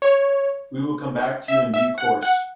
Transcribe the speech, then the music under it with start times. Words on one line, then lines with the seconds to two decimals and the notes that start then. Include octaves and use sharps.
We will come back to you in due course.
0.02 C#5
1.48 E5
1.74 E5
1.98 F#5
2.23 F#5